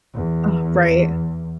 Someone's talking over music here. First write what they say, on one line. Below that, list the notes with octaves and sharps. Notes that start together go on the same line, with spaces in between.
Oh, right.
E2